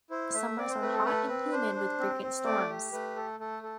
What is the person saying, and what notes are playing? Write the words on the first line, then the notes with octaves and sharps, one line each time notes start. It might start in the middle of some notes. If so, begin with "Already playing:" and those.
Summers are hot and humid with frequent storms.
E4 C5
A3 E5
C4 D5
C5
A3 B4
A4
A4 B4
C4
D4 C5
D4
C4
C4
A3 D5
G4
A3 B4
A4
A3 A4
A4